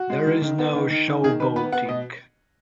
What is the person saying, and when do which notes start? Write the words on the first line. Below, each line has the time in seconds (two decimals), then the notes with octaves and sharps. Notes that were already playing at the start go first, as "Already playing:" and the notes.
There is no showboating.
Already playing: F#4
0.10 G#3
0.26 D#3
0.42 D#3
0.58 B3
0.75 D#3
0.91 D#3
1.08 D#3
1.24 D#3 G#4
1.40 D#3 B4
1.56 B3 B4
1.72 B3 F#5
1.89 B2 D#5